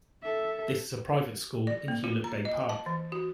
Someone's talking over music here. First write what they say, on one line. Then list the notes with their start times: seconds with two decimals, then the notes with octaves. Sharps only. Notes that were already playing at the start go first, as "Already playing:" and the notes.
This is a private school in Hewlett Bay Park.
0.23 A4 E5
1.67 D5
1.88 A#3
2.04 F4
2.24 A#5
2.45 D#5
2.69 A5
2.86 E3
3.12 F#4